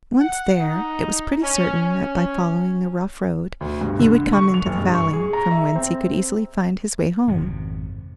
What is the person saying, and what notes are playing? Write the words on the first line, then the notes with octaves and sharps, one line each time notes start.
Once there, it was pretty certain that by following the rough road he would come into the valley, from whence he could easily find his way home.
F#5
D#4
C#4
C#4
D2
G2
D3
C#6
F7
F#1
G2
C#6
G#4
A#5
E5
C4
G#1 F2 C3